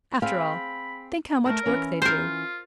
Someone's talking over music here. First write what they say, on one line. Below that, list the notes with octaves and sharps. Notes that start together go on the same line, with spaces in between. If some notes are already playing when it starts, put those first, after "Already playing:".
After all, think how much work they do.
C4 G#4 F5 B5
A3 A#4 A5
E3 C#4
F4 A#4 C5